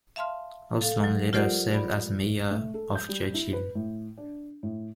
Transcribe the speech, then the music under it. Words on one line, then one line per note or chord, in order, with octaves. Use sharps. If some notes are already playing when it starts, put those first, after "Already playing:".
Osland later served as mayor of Churchill.
E5 F5 A5 C6 F6
A4 F5
F#3
F4 G4 A#4 C5 D5 F#5
D5 B5
A3
A4
G6
G3
E4
B4
A2
D4
A2